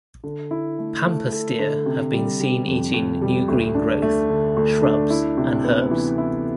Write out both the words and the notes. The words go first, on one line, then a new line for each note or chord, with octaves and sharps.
Pampas deer have been seen eating new green growth, shrubs, and herbs.
D3
E4
A3
A3
A4
D3
C3
G3
G3
F2
F2
G3
D2
D4
A3
D3
D2
D4
E4
C3
B3
E3
E4